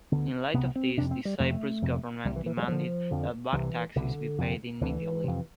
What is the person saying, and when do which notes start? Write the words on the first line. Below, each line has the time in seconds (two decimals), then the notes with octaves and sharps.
In light of this, the Cyprus Government demanded that back taxes be paid immediately.
0.12 D2 D3 B3
0.54 C2 C3 B3
0.76 C4
0.97 F2 C3 D4
1.11 C4
1.25 G3
1.40 F2 C3 A3
1.82 F2 C3
2.25 C2 C3 G3
2.36 E3
2.46 E3
2.57 F3
2.62 G3
2.67 D2 D3 F3
3.11 F2 D3
3.53 C2 C3 E3
3.95 C2 B2 D3
4.38 F2 C3
4.81 D2 D3 E3
5.24 F2 C3